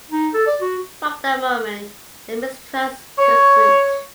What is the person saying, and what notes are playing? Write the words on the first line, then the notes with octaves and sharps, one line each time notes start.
From that moment the mistrust took root.
D#4
A4
D5
F#4
C#5